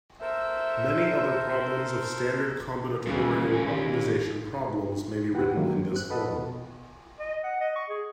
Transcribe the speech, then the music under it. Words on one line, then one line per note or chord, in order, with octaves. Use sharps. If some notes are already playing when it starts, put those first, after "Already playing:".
Many other problems of standard combinatorial optimization problems may be written in this form.
A4 A#4 C5 E5
D#2 C#3 E3 G3 A3 F4
G#2 C4 G#5
D#3 D#4 G4
E2 G4 B4 F#5 G5
D#3 E3 F#3 G#3 A#3
C4 F#6
A4 B4 D#5 F#5 A5
B2
D#5
F#5
D#5
C#6
G#4